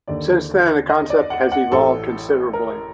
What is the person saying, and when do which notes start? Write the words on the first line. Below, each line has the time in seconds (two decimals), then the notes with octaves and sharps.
Since then, the concept has evolved considerably.
0.08 D#2 D3 D5
0.89 D#5
1.10 D5
1.30 F#5
1.52 F#5
1.72 A1 A2 A4
2.53 A#4